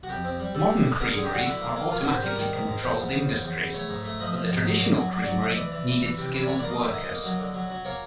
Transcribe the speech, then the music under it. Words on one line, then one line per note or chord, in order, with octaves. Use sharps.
Modern creameries are automatically controlled industries, but the traditional creamery needed skilled workers.
F#4
F2 G4
C4
G3
G3 A4
D3
D3
D3 A#4
D3 G#4
G4
D3 F#4
D3 E4
A#3
A#3
D#3 F4
G#2 F#4
C5
G3 A#4
D#3
G#2
G#2
E2 C5
E2
C#3
E2
E2
E2
A3 C#5
G#2
A3
F3 D#5
F3
G#2
F#3
A#2
F#3
F#3
F#3 D5
A3 D#5
E3 D5
E3
E3
E3
C3
E3
D5
D3 C#5
A#3 D5
D#5
D3 E5
D3 D#5
A#3
F#3
D3
F#3
F#3
A#3 C#5